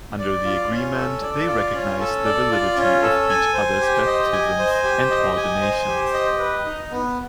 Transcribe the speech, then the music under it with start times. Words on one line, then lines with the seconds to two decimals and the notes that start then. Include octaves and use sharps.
Under the agreement, they recognize the validity of each other's baptisms and ordinations.
0.19 D5
0.44 F4
0.71 C#4
0.96 A4
1.22 D5
1.47 F4
1.73 C#4
2.00 A4
2.25 D5
2.51 F4
2.77 C#4
3.02 A4
3.29 G#5
3.54 C5
3.81 G4
4.06 D#5
4.33 G#5
4.59 C5
4.83 G4
5.11 D#5
5.36 G#5
5.61 C5
5.88 G4
6.13 D#5
6.39 B4
6.66 D#4
6.91 B3